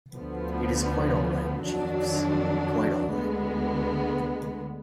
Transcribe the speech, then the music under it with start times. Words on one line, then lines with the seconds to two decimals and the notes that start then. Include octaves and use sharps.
It is quite all right, Jeeves, quite all right.
0.16 D2 D3 F3 B3
1.65 F2 D#3 F#3 D4
3.13 D2 D3 G#3 B3